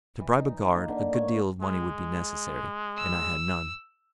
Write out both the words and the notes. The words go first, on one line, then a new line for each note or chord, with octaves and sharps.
To bribe a guard a good deal of money would be necessary, and I had none.
E3
D#4
A#3
D3
C#5
G#3
E6